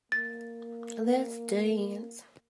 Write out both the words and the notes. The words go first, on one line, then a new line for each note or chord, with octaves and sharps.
Let's dance.
A#3 A6